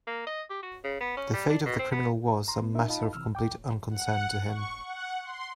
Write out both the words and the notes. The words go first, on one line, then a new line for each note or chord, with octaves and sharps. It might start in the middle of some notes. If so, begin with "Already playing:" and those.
The fate of the criminal was a matter of complete unconcern to him.
A#3
D#5
G4
F#4
C#3
B3
C#4
G3
D4
B2
C4
B3
A#5 C6
B3
D4 D#4 A#4 E5
D#4 F4 D#5 F5 A5 B5
C3 E3 E6 F6
D#2 G5 D6
F#5
C#6
F#5
C6